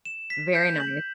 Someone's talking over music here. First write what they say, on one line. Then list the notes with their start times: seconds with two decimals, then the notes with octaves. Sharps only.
very nice.
0.05 E7
0.30 B6
0.55 G6
0.80 F#7